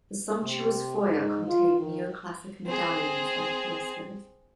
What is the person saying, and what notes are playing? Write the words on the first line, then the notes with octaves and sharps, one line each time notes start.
The sumptuous foyer contained neoclassic medallions and pilasters.
C3
G#2
F4
D#3
C4 G#4